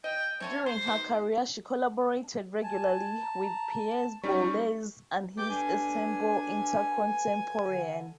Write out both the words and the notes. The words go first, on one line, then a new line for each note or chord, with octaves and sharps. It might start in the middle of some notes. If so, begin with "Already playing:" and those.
During her career she collaborated regularly with Pierre Boulez and his Ensemble Intercontemporain.
D#5 G5
D3 A3 C4 C#5
C5 C6
B2 D#3 C6
G#5 A5
A#5
G3 C#4 D#4 C#6
G4 A4 B4 G5 D6
D4 G#5
D3